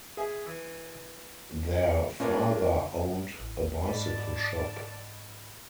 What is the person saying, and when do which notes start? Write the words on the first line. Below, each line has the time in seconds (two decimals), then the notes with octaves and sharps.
Their father owned a bicycle shop.
0.17 G#4 E5 G#5
0.46 E3
2.20 A#3 C#4 D4 F4
3.40 A1
3.86 G#2 D5 A5 B5